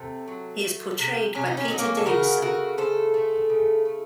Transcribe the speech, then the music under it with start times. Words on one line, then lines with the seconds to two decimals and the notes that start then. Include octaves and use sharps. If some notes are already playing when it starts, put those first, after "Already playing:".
He is portrayed by Peter Davison.
Already playing: C3 A3 C4
0.28 F#3
0.63 A3
0.99 C3
1.35 C3 C#4
1.46 D#4
1.57 C#4
1.68 F#3 D#4
1.79 A#3 C#4
1.97 A4
2.06 C#3 F#4 A#4
2.42 A3 F#4 A#4
2.78 C#3 A4 C5
3.14 A3
3.50 C#3
3.85 A3